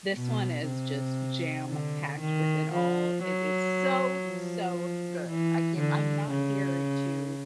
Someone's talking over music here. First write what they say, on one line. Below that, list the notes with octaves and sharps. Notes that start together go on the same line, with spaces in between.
this one is just jam packed with it all it is so, so good. I can't I'm not here to
B2
C3
D3
D#3
F3
F#3
F3
E3
D3
C#3